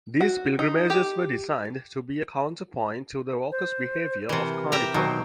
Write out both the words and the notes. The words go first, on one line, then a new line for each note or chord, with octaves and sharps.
These pilgrimages were designed to be a counterpoint to the raucous behavior of Carnival.
F#4
D#4
G4
C5
C3 E3 A#4
G4 E5 A#5
B2 D#3 F#3 C5